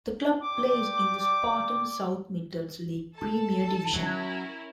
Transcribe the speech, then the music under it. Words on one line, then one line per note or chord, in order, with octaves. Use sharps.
The club plays in the Spartan South Midlands League Premier Division.
G4 D5 D6
A4 A5
F#3 C#4 E4 A#4